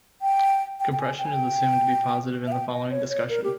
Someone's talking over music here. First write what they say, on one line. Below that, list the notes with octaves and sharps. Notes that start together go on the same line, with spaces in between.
Compression is assumed to be positive in the following discussion.
G5
G5
G5
G#5
G5
G#5
G5
E5
G5
D#5
C#5
C#5
A#4
G4